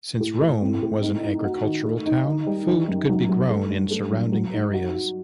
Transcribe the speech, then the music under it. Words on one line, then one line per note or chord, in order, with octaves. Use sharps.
Since Rome was an agricultural town, food could be grown in surrounding areas.
A2
A2
C4
A2
D#4
D#4
F#4
D#3
A3
D#4
D#3
G3
D#3
F#2
F#3
F#3
A3
G2
A3
F#3
F#3
D#4
F#4
F#4